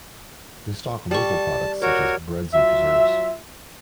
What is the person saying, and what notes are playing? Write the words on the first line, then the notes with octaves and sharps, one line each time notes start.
They stock local products such as breads and preserves.
G3 A5 C#6
F#4 A#4 C#5 D6
F#3 F4 E5